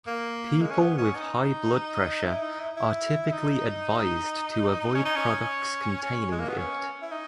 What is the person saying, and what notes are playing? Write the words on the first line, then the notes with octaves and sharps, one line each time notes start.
People with high blood pressure are typically advised to avoid products containing it.
A#3
G#3
C#4
B3
C#4
D#4
E4
D#4
E4
E4
D#4
C#4
D#4
C#4
C#4
G#3
A#3
B3
C#4
E4
D#4